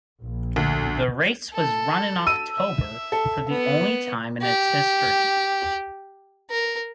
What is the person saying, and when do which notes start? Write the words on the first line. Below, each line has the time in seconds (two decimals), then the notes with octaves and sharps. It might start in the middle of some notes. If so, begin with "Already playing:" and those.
The race was run in October for the only time in its history.
0.22 A#1
0.56 D2
1.53 A4
2.27 E6 D#7
2.57 E5
3.12 A4
3.49 B3
4.43 G4
6.50 A#4